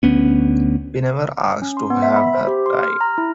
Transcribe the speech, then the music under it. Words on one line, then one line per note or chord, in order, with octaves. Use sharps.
We never asked to have her die.
D2 B3 C#4
C#4
C6
B3
E5
B5
C5
G4
C6
F6
A#5
E4